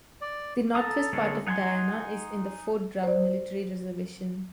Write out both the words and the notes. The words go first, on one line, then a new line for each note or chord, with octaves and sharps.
The northwest part of Diana is in the Fort Drum military reservation.
D5
A4 A#5 D#6
D3 G#3 A#3 C#4 A4
D#4 F#5 G#5 A#5 C6
C5 D5